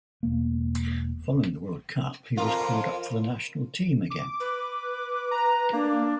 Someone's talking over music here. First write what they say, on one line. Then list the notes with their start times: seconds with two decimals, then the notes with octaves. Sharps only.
Following the World Cup, he was called up for the national team again.
0.23 E1 A#3
2.37 F2 F4 A#4
4.10 D6
4.40 B4
5.31 A#5
5.73 A#3 D4